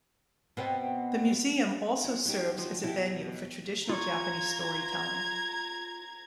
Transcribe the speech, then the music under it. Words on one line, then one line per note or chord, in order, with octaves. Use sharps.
The museum also serves as a venue for traditional Japanese storytelling.
B2 B3 C4
F3
F#3 D#4 G4
F3
B2 E4 G4
F4 A#5 C#6 G#6